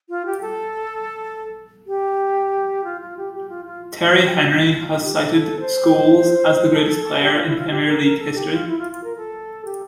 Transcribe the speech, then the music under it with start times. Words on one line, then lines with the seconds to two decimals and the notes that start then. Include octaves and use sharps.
Thierry Henry has cited Scholes as the greatest player in Premier League history.
0.09 F4
0.26 G4
0.41 A4
1.87 G4
2.84 F4
3.01 F4
3.17 G4
3.33 G4
3.49 F4
3.65 F4
4.06 F4
4.78 F4
4.91 F4
5.03 G4
5.16 A4
5.27 A4
5.44 A4
5.60 C5
6.73 A4
6.89 A4
7.05 A4
7.22 G4
7.34 F4
7.46 E4
7.58 F4
7.70 G4
7.87 A#4
8.02 A#4
8.19 A4
8.35 G4
8.52 F4
8.68 E4
8.79 F4
8.92 F4
9.04 A#4
9.17 A4
9.65 G4